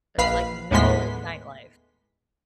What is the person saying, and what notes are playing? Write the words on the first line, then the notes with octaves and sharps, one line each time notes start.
There's, like, no nightlife.
A#1 B4 F5 B5 C7
D#2 A2 G#3 B3 C6 B6